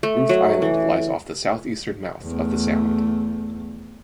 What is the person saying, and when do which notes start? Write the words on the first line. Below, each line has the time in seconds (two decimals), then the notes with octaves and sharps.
Ruth Island lies off the southeastern mouth of the sound.
0.03 A3
0.29 F#3
0.62 E3
2.23 E2 A3